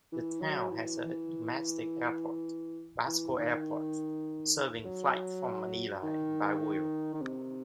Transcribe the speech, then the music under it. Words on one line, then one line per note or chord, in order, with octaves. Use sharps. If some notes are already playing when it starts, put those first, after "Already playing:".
The town has a domestic airport, Basco Airport, serving flights from Manila and Baguio.
E3
F#3
E3
E3
D#3
F#3
D#3
D#3
C3